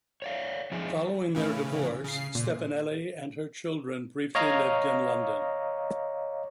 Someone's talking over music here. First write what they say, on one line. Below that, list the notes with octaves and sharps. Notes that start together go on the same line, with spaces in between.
Following their divorce, Stefanelli and her children briefly lived in London.
C#5 D5 F5
F3 G3 C4 D#4 G#4 E5
A2 C#3 E3
C#3 C7
A#2
C#5 D#5 F5 A#5